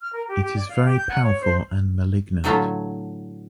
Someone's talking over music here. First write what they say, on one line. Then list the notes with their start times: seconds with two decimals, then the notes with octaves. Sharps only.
It is very powerful and malignant.
0.01 F6
0.13 A#4
0.28 G4
0.42 G4
0.56 D5
0.69 F5
0.85 G4
0.97 G6
1.09 F#5
1.23 C#5
1.41 C5
2.44 A2 D3 F#3 A3 F4